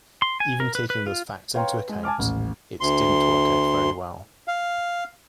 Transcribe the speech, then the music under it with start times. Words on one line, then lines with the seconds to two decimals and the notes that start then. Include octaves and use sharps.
Even taking those facts into account, it didn't work out very well.
0.22 C6
0.40 G#5
0.60 A#4
0.75 B4
0.90 B4
1.06 F4
1.54 B4 C#5 F5 G5 A#5 C6
1.74 B4
1.89 G#3
2.03 G#5 A5 D6 F6
2.18 D#1 A1
2.81 D2 C6
4.48 F5